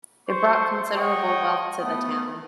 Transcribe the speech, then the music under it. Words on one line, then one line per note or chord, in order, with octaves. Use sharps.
It brought considerable wealth to the town.
C5 C6 C#6
C#5 D#5 F#5 G5 C#6 D#6
A3 B3 D#6